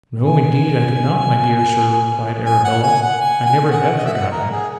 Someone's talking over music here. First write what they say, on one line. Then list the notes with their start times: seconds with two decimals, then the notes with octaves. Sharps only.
'No, indeed I do not, my dear Sir,' replied Arabella. 'I never have forgotten it.
0.22 G#5
2.46 G#5
2.64 F#5
2.83 G#5
3.02 F#5
3.21 G#5
3.46 G#5
3.71 F#5
3.98 D#5
4.06 E5
4.13 F#5
4.32 A#4
4.51 G#4